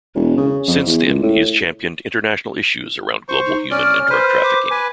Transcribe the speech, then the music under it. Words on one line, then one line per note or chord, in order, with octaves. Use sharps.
Since then, he has championed international issues around global human and drug trafficking.
E1
C#3
F2
E2
C#2
A2
C5 C#6
D#4
C#4 D5 F6
B4 C5
D6
B4 G#5